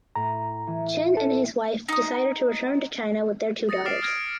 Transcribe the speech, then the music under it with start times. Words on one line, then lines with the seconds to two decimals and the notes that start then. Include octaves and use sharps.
Chen and his wife decided to return to China with their two daughters.
0.15 A2 A#5
0.67 E3
1.17 A4
1.89 D#4 D#6
3.69 D#6 A6 A#6 C#7
3.85 D6 F6 A6 C7 D7 E7
4.03 F6 G#6 A#6 D7